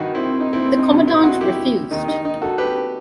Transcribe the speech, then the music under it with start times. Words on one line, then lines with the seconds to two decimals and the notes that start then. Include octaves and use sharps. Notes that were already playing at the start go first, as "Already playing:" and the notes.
The commandant refused.
Already playing: G2 D#3 D#4 F#4
0.15 C4 E4
0.40 D#4
0.53 C4 E4
0.65 C4
0.78 D#4
0.91 C2 B2
1.07 C4 E4
1.24 D#4 F#4
1.41 E4 G4
1.91 D#2 D#3 D#4
2.08 D#4
2.25 D#4
2.42 F#4 A4
2.58 G4 B4